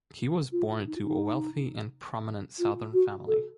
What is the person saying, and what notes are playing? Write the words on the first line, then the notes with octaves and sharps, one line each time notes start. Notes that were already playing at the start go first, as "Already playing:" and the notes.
He was born to a wealthy and prominent Southern family.
F4
D#4
F4
D#4
F4
F#4
A4